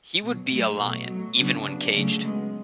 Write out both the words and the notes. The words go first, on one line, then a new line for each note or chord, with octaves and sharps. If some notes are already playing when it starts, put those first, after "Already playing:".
He would be a lion even when caged.
B2 F#3
F#3 A3
B2 F#3
F#3 A3
C#3 F#3 B3 D4
B3 D4
C#3 F#3 A3 C#4
G#3 B3